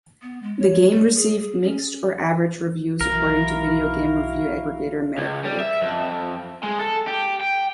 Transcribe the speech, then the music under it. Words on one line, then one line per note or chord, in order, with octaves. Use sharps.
The game received "mixed or average" reviews according to video game review aggregator Metacritic.
B3
G#3
C#5
G3
G#4
G#4
C#4
B1 E3 E4 F#4 A#4 F5
C#2
G3
E5
F2
G#3
A4
G4
G5